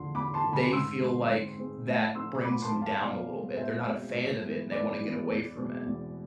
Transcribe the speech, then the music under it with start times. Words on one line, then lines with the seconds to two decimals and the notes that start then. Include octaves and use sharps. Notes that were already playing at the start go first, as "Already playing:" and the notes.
i they feel like that brings 'em down a little bit. They're not a fan of it, and they wanna get away from it,
Already playing: E2 D3 F3 C6
0.14 E2 B5 D6
0.34 A5 C6
0.44 D3 F3
0.53 G#5 B5
0.72 G#2 C6 E6
1.01 G#3 C4
1.29 G#2
1.58 G#3 C4
1.86 A2
2.15 F3 A3 C4 C6 E6
2.43 A2 B5 D6
2.62 A5 C6
2.72 F3 A3 C4
2.82 F5 A5
3.00 B2 D5 F5
3.30 G#3 C4
3.57 B2 C5 E5
3.86 G#3 C4
4.14 G#2
4.43 E3 G#3 B3
4.72 G#2 B4 D5
5.00 E3 G#3 B3
5.29 E2
5.57 B2 G#3 C4
5.86 E2